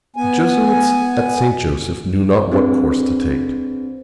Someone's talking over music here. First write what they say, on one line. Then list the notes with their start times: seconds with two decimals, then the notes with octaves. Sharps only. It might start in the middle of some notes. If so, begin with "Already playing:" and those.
The Jesuits at St. Joseph knew not what course to take.
0.16 B3 G#5
2.52 C4 D4 G#4 B4 C5